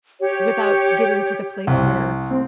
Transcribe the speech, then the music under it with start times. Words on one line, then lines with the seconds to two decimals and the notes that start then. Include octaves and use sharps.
without getting to the place where
0.20 G4 C#5
1.67 C2
2.31 C4